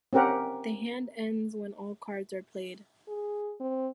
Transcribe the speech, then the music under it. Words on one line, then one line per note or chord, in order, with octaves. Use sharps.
The hand ends when all cards are played.
C4 C#4 G4 A#4 F#5
G#4
C4